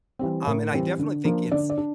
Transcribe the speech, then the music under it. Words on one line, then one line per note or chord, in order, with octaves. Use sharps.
Um, and I definitely think it's
E3 G3 C4
A2 A#4
E3 G3 C4
D3
F3 A#3 D4
D3 D5
D5
D4